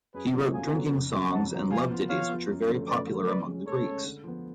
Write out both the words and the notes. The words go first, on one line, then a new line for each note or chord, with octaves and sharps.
He wrote drinking songs and love ditties which are very popular among the Greeks.
F#2 G#4 B4
D3 F#3 B3 F4
F#2 F5 G#5
D3 F#3 B3 F4
F2
C#3 F#3
F2 F#5 A5
C#3 F#3
F3 F5 G#5
B3 F4
F3 C#5 F5
B3 F4
F#2
D3 F3 A3 C#4
F#2 B4 D5
D3 F3 A3 C#4
C#3 B4 D5
G#3 C#4
C#3 A4 C#5
G#3 C#4
D3
F3 B3